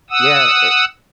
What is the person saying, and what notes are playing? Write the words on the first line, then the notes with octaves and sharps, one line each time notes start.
Yeah, a
F#5 D#6 E6